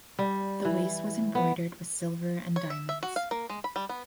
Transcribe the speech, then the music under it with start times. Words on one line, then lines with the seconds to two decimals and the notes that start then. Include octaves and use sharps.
The waist was embroidered with silver and diamonds.
0.19 G3
0.65 E3
1.35 B3
2.56 C#5
2.70 E5
2.89 E5
3.03 F#4
3.16 F5
3.31 A#3
3.50 G#3
3.64 B5
3.76 G3
3.89 B3